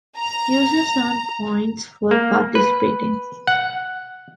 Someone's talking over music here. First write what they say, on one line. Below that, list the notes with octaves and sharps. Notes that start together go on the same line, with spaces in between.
Users earn points for participating.
A#5
A#3
B4
F#5